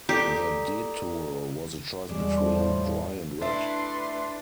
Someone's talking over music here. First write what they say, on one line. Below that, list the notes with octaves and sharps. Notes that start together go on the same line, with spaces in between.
The Detour was a choice between Dry and Wet.
G4 A4 D5 A#5
E2 B2 G3 G#3 D4
A2 F3
A3 D4 E4 B4 C6